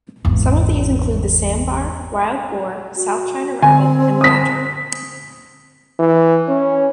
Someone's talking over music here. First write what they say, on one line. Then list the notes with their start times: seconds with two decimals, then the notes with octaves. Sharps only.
Some of these include the sambar, wild boar, South China rabbit and badger.
0.25 G#1 E2
2.95 F#4
3.62 D3 C4 G#5
4.21 D#6 B6
5.99 E3
6.49 C#4